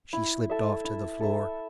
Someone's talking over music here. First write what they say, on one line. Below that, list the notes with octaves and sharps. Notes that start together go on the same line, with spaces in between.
She slipped off to the floor.
E4
A4 E5
E4
A4 E5